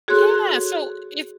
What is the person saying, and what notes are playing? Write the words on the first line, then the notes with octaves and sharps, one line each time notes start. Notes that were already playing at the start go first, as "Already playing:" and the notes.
Yeah. So if
F#4 G#4 A4 C#5 C6 F#6